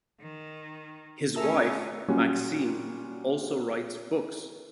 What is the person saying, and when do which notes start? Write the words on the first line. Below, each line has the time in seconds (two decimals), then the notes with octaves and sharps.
His wife, Maxine, also writes books.
0.20 D#3
1.36 A3 C#4 G#4 A#4 E5 A5 A#5 E6
2.08 A#2 F#3 G3 C#4 F#4